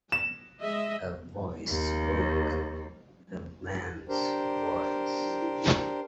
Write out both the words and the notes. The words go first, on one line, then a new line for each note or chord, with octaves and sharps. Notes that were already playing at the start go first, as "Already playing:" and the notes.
A voice spoke — a man's voice.
E7
G#3 D#5 E5
D#2
D4 G4 A#4 C5